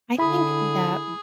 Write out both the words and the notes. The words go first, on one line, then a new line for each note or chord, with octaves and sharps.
I think that, w
D3 E4 G#4 B5